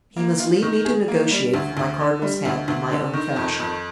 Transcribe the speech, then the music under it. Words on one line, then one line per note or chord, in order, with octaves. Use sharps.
"He must leave me to negotiate for my cardinal's hat in my own fashion."
A#3
F4
D#3
G#4
A#3
G3
D2
D2
D3
G3
D2
D2
D3
D#3
F2
F2